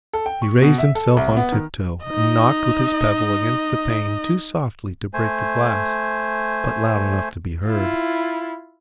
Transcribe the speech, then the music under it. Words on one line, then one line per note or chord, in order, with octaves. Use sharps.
He raised himself on tiptoe, and knocked with his pebble against the pane too softly to break the glass, but loud enough to be heard.
A4
G5
C#6
B2
E5
A4
C2
B3
D#3
D#4 D#5
A3 C5 G#5
E4 F4